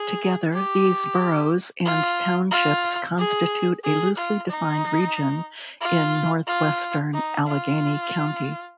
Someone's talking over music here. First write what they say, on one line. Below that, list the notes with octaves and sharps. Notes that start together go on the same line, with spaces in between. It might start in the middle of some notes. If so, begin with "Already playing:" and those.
Together, these boroughs and townships constitute a loosely defined region in northwestern Allegheny County.
Already playing: G#4
G4
F4
F4
G#4
G#4
F4
D#4
F4
F4
D#4
F4